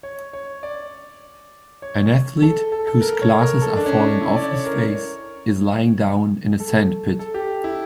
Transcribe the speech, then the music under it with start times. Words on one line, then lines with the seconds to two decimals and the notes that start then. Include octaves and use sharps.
An athlete who 's glasses are falling off his face is lying down in a sandpit.
0.03 C#5
0.33 C#5
0.63 D5
1.82 C#5
2.42 A4
2.72 A4
2.87 A4
3.01 A#4
3.22 C#5
3.42 A#4
3.62 A4
3.76 D4
3.86 C#4
3.91 D4
4.21 E4
4.36 D5
4.51 C#5
4.66 A#4
4.81 C#5
6.60 A4
7.19 A4
7.34 G4
7.64 E4